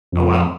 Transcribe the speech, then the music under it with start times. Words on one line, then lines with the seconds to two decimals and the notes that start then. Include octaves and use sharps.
Oh, wow.
0.12 F2